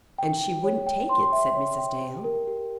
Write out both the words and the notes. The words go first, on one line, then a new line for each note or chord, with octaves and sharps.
"And she wouldn't take it," said Mrs. Dale.
G5
G5
C#5
G5
C6
E5
C#5
G5
G4
A#4
G4